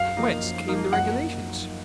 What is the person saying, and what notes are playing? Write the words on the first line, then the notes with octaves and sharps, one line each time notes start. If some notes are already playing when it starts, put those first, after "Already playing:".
Whence came the regulations?
Already playing: F#2 F5
F3 A#3 D#4
F#2
F3 A#3 D#4
F#2 F#5